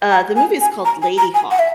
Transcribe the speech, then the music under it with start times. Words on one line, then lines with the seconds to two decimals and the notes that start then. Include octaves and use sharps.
uh, the movie's called Ladyhawke.
0.11 A#5
0.36 G#5
0.61 G#5
0.85 A#5
1.02 G#5
1.18 A#5
1.34 G#5
1.51 F#5
1.59 E5